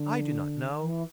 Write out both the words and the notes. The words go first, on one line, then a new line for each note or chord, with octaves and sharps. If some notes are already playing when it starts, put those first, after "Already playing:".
I do not know.
Already playing: D3
E3